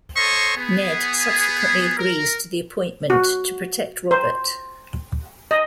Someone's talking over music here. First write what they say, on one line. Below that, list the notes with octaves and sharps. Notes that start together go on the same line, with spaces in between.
Ned subsequently agrees to the appointment to protect Robert.
A4 C5 C#5 D#5 C6 C#6
B3 G#4
A#4
F#4
C5
D#5